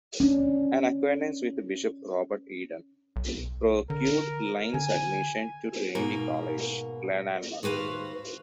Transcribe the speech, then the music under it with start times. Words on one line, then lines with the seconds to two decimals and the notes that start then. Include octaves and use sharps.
An acquaintance with Bishop Robert Eden procured Lyne's admission to Trinity College, Glenalmond.
0.20 C#4 D4
3.16 B1
3.90 D3 A#4
4.74 D3 G#5
5.95 G#2 B2 A#3 A#4
7.63 D#2 F#4 B4 C5 F5